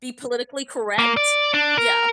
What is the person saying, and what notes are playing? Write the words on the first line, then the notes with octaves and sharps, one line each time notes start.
Be politically correct? Yeah.
A#3
D5
D4
A#4